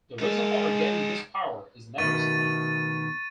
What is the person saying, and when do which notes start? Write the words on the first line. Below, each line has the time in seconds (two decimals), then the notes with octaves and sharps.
The reason for her gaining this power is never explained.
0.19 G#3 D#4 A4 A#4
1.98 B2 D#3 A3 C#6 A6 D#7